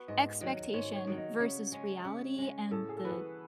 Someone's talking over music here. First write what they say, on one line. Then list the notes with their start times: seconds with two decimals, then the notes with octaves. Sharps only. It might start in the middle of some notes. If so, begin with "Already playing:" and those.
expectation versus reality, and the d
Already playing: B3 F#4
0.08 G#2 D#5
0.41 D#3 F#3 D#5
0.74 G#2 C#5
0.96 C#5
1.07 D#3 F#3
1.18 D#5
1.40 C#3 C#5
1.72 G#3 C#4
2.05 C#3
2.38 G#3 C#4
2.71 A2 A4
2.89 G#4
2.97 A4
3.05 E3 B3 F#4 B4